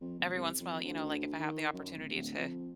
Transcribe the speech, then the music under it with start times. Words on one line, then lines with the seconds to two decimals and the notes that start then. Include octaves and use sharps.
every once in while, know, like if I have the opportunity to,
0.01 F2
0.19 E1
0.34 C2
0.60 F2
0.83 D2
1.39 D#3
1.73 F#2
1.95 D1
2.15 D1
2.37 F2